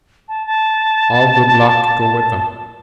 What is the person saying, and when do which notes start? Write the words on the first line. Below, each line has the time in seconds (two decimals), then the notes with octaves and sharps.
All good luck go with them.
0.28 A5
0.45 A5